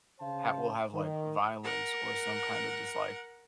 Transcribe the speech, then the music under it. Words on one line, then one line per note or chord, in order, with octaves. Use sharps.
ha will have, like, violence or some kind of just, like,
C#3 C5 F5 A5
D#3
A#4 F#5